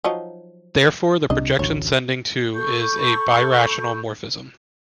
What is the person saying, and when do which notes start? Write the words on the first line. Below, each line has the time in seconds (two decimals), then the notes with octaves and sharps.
Therefore, the projection sending to is a birational morphism.
0.04 F3 F#3 D#4
1.30 C2 C3 D4 D#5
1.59 A1 D2 C#5
2.54 A4 B5 C#6 G6